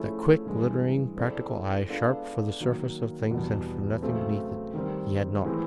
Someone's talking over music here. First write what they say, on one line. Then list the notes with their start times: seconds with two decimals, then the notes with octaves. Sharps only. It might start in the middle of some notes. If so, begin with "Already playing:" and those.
That quick, glittering, practical eye, sharp for the surface of things and for nothing beneath it, he had not.
Already playing: F3 A3 C#4 E4 G#4
0.46 G2 E3 G#3
1.17 G#3 C4 E4 A4 D5
1.88 G#3 B3 D4 F4 A4
2.60 D#3 F#3 A#3
3.31 E2 B2 G3 B3
4.02 C#3 F#3 A3 C4
4.74 D#3 G3 C4
5.45 A2 E3 G#3 C4